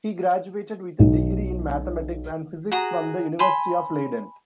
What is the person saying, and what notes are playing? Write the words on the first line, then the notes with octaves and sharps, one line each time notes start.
He graduated with a degree in mathematics and physics from the University of Leiden.
B1
F#4 G#4 A#5
G#5 A5 B5 C6